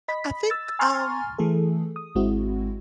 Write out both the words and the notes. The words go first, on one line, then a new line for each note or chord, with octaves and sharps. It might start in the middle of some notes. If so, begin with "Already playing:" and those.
I think um,
D#5 B5 B6
E6 A6
G#5 A#5 C6 C#6 F6 A6
E3 A3 G#4 A4
D#6
G#1 G#3 C4 E4 F#4